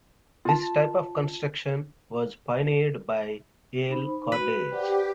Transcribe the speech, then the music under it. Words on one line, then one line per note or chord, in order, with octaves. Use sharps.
This type of construction was pioneered by Yale Cordage.
F4 A5
D#4 C5 B5
F#4 B4
G4 C5 D5 F#5